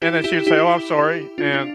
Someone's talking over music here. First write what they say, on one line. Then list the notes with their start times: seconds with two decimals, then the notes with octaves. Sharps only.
and then she would say, "Oh, I'm sorry," and
0.02 E4 G4
0.24 E4 G4
0.47 E4 G4
1.38 D4 F4
1.53 D4 F4